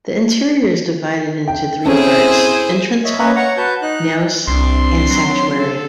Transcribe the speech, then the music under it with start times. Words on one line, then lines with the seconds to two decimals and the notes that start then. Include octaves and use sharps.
The interior is divided into three parts: entrance hall, naos, and sanctuary.
1.48 G5
1.86 C4 C#4 E4 G#4 A4 C5
3.04 C#5 D#5 E5
3.19 C#4 B4 C#5 D#5 E5
3.36 C#5 F#5 A#5 C#6
3.57 F#4 B4 A5 G6
3.82 D#4 F#6
4.47 C2 C4 D4 C6
5.11 F#3
5.55 D3 A4